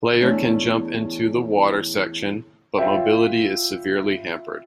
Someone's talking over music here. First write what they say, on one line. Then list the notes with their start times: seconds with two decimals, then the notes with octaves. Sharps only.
Player can jump into the water section, but mobility is severely hampered.
0.21 E2 A3 C#4 D4 A4 G#5
2.78 F4 B4 C#5 E5 G5